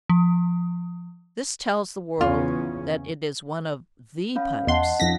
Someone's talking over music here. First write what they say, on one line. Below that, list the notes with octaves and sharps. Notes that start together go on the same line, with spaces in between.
This tells the world that it is one of THE pipes.
F3
E2 C#3 C#4 F4
C#4 F5 B5
E2 D#5 F#5 A5 C6
F2 C#4 D#4 F4 A#6 B6